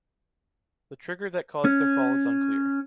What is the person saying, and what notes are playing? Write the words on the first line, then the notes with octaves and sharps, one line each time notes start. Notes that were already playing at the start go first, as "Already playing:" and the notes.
The trigger that caused their fall is unclear.
C#4